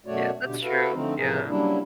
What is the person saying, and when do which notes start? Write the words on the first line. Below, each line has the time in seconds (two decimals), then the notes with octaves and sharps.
Yeah, that's true, yeah.
0.06 F#2 B2 A3 F#4 C#5 D5
0.45 B2 D3 G4
0.63 E4 F#4 A4 B4 F5
0.94 D3 F3 A3 C4 D#4
1.18 A2 C3 E3 F3 G#4 A#4
1.49 C#3 F#3 G3 A#3 D4 E4